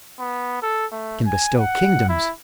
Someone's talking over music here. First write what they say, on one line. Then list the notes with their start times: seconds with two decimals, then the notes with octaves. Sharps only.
I can bestow kingdoms.
0.20 B3
0.62 A4
0.92 A3
1.26 G#5
1.59 F#5
2.09 E4